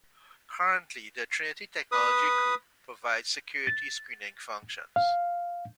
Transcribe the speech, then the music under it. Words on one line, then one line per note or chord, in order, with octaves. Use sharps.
Currently the Trinity Technology Group provides security screening functions.
B4 D#6
A6
F5